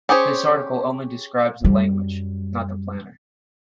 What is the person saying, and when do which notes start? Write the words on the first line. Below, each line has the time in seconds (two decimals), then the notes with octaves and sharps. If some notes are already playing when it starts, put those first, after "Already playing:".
This article only describes the language, not the planner.
0.09 C#4 G4 G#4 C5 C#5
1.65 F#2 G3